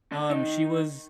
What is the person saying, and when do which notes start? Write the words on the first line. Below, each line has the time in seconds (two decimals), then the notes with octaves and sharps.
um, she was
0.12 D3 D4
0.30 D#3 D#4